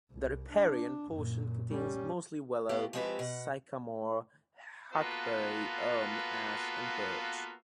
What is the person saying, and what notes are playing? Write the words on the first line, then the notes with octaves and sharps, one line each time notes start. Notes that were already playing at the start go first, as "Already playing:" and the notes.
The riparian portion contains mostly willow, sycamore, hackberry, elm, ash and birch.
C2
D4
F#2 A#2
G3 C#4
A2 B3 G4 F5
F3 G#3 C4 F#4 G4 B4
B2 F#5
A#3 B3 F4 F#4 A4 B4